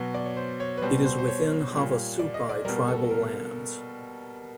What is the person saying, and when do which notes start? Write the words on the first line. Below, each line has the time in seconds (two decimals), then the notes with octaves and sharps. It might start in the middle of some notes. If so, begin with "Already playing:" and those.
It is within Havasupai tribal lands.
Already playing: B2 F#3
0.14 D5
0.26 C#5
0.37 C5
0.60 C#5
0.77 B4
0.82 B2 G3 C5
1.05 C5
1.18 C5
1.28 C#5
1.73 A#2 G3
2.19 D5
2.34 D#5
2.49 D5
2.65 B2 G3 A#4
2.88 A4
3.11 A#4